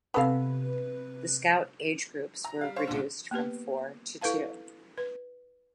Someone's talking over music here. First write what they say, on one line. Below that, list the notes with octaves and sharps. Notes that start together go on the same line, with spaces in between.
The Scout age groups were reduced from four to two.
C3 B3 A4 B4 F5
A#5
G3 F5
C5 C#5 F5
C2 A#2 D3
A#3 B3 G4 B4
E4 A4 B4 F5 A5
B4